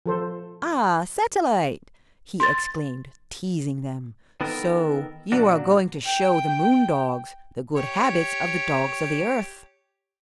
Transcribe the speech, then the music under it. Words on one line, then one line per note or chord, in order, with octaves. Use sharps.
Ah, Satellite!" he exclaimed, teasing them; "so you are going to show the moon-dogs the good habits of the dogs of the earth!
F3 A4 C5
C6 A6
D#3 B3 A4 A#4
A#2 F#3 D4 F#4
G5
G4 C#5